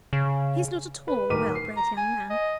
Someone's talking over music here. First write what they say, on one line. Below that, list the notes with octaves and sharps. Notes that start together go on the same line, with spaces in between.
He is not at all a well-bred young man.
C#3
B4
D1 D#3 A#4 D6 B6 D#7
C7
A#5
G#5
D#5